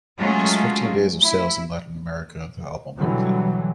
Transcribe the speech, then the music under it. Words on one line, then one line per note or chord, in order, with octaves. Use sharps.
In just fifteen days of sales in Latin America, the album went platinum.
F#3 G#3 A3 C#4 F4
E4
B2 D3 E3 F#3 G3